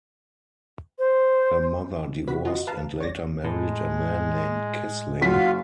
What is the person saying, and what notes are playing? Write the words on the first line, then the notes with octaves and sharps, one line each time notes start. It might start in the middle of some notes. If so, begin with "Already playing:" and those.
Her mother divorced and later married a man named Kissling.
C5
C3 F#4 B4 B5 B6
F4 F#4 D#5
B4 F5 A5 A#5
G1 C2 C#5 D5 A6 A#6
A2 G#3
F#1 F4 F#4 F5 B6